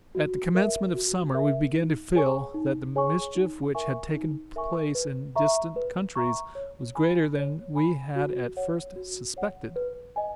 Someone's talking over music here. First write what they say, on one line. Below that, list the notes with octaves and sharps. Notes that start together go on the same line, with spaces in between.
At the commencement of summer, we began to feel, that the mischief which had taken place in distant countries was greater than we had at first suspected.
F#4
A#4 E5
F#4
A#4 E5
D#4
G#4 C#5 G#5 C#6
D#4
G#4 C#5 G#5 C#6
D#4
A#4 E5 G#5 C#6
D#4
A#4 E5 G#5 C#6
B4
E5 A#5 C#6
B4
E5 A#5 C#6
C#5
G#5 B5
C#5
G#5 B5
F#4
C#5 F#5
F#4
C#5 F#5
B4
D#5 G#5